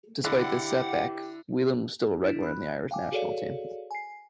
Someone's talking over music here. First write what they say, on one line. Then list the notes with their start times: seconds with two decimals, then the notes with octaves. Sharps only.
Despite this setback, Whelan was still a regular in the Irish national team.
0.25 D3 E4 G4 F5 F#5
2.24 D4 E4
2.43 B5 F#6
2.91 F5 G5 G#5 D6
3.12 F#4 G#4 A4 C#5 D5 F5
3.91 G#5 C7